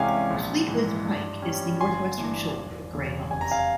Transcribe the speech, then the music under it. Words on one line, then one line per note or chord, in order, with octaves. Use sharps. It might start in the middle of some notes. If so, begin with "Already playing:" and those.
Fleetwith Pike is the north-western shoulder of Grey Knotts.
Already playing: C2 C3 E3 G#3 C#4 F5 G5 G#5
A#1
G#2 E3
G2
G3 C#4
G1 G#5 C6
G2 E3
E1
E2 C#3
F1 G#5
A#5
F5 G#5